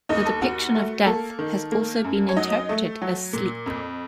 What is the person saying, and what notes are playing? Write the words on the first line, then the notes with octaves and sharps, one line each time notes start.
The depiction of death has also been interpreted as sleep.
D#2 D#4 D#5
A4
D#2 F#4
A3
A#3 A4
D#3
A#3
F#2
C#5
F#3 D#4 D#5
A3
F#3
A#2
F2